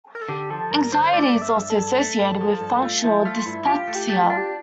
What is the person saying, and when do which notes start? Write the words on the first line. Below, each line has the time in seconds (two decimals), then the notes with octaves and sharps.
Anxiety is also associated with functional dyspepsia.
0.15 A#4
0.21 A4
0.29 D3 G4
0.50 F3 A4
0.71 G2 A#4
0.92 D3 C5
1.13 A3 D5
1.34 G2
1.42 E5
1.50 F5
1.56 G2 E5
1.70 A4
1.76 G2
1.98 A3
2.20 G2
2.41 F3
2.61 G2
2.82 A3 F4
3.03 F3 E4
3.25 A3 F4
3.46 G2 E4
3.67 F4 G4
3.87 A3
3.95 G4
4.09 A3
4.23 F4
4.30 D4
4.37 G4